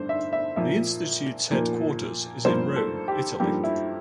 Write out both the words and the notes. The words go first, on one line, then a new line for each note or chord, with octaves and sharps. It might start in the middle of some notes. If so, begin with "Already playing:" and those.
The Institutes headquarters is in Rome, Italy.
Already playing: G2 D3 A3 D4 C5
E5
E5
A#2 F3 A#3 E5
A#2 F3 A#3
G2 F3 A#3 C5
A4
G4
G2 F3 A#3 G4
E4